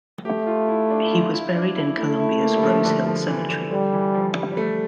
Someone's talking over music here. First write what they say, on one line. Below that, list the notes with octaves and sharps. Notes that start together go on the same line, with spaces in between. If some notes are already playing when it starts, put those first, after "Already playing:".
He was buried in Columbia's Rose Hill Cemetery.
A3 G4
F4
E4
D4
E4
F4
E4
D4
E4
A3 E4
E4
A#3
G3
F3
D3
F3
E3
D3
D3 G3
E3
F3
G3
G3
A3